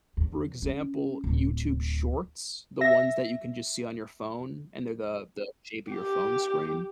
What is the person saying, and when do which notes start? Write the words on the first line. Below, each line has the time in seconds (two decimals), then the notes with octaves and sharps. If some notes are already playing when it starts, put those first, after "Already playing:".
for example, YouTube Shorts, the ones that you can just see on your phone, and they're the the shape of your phone screen.
0.17 E2
0.62 C#4
1.24 D1
2.81 E5 A#6
5.92 G4